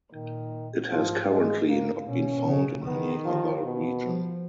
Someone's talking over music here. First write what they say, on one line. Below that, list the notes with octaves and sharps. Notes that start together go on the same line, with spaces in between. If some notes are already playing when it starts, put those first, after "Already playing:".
It has currently not been found in any other region.
A#2 D#3
G#2 F3
G#3
A#3
B2 C#4
C#3
D#3 B3
F3
B2
F3